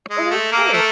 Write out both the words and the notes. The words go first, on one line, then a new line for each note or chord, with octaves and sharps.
Oh, that's great.
G#3
A3
A#3
A3